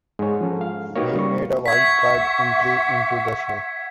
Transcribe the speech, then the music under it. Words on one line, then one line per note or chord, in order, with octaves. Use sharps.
He made a wild card entry into the show.
G#2 G#3 C#5
F3 C#4 A4
F5
A#3 D#4 F#4 G4 B4 C#5
G3 C#6
E5 F#5 C#6 G#6 B6